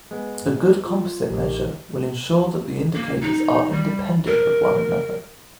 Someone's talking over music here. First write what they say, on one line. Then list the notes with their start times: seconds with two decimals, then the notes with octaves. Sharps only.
A good composite measure will ensure that the indicators are independent of one another.
0.11 G#3 B3
0.84 F4
1.29 A#1 D#3 G4
2.95 A#3
3.21 D#4
3.72 G3
4.27 A#4